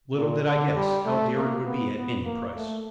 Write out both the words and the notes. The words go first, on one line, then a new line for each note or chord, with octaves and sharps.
Little did I guess how dear it would be at any price!
A#2
D3
G3
A3
A#3
B3
B3
A#3
A3